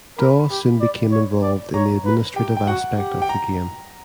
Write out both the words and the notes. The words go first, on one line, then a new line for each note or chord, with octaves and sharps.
Dawe soon became involved in the administrative aspect of the game.
A#4 B5
G4
D5
C#5
D5
C#5 A#5
B4
G4 G5
G5
F#4 F#5
G4
G5
A#5